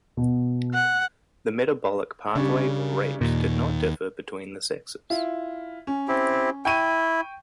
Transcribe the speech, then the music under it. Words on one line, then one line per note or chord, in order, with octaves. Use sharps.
The metabolic pathway or rate did not differ between the sexes.
B2
F#5
C#3 G3 C#4 D4
D#2 A#2
E4 F4
C#4
C4 E4 G4
E4 G5 C#6 D#7